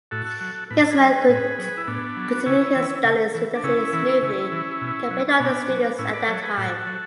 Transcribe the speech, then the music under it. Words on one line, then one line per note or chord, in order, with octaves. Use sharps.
Ismail could continue his studies relatively smoothly compared to other students at that time.
A2 F#4 A4
F#3
A2 B4
A4
G#4 B4
F#3
A2 G#4 B4
F#3
E4
A2 B3 D4
F#3
F#4
C#3 C#4 E4
E3
C#3
E3
D4
C#3 C#4 E4
E3
C#3
E3
B2
F#3
C#4
B2 B3 D4
F#3
A2 C#4 E4
B4 D5
F#3 A4 C#5
G#4 B4
A2 F#4 A4
F#3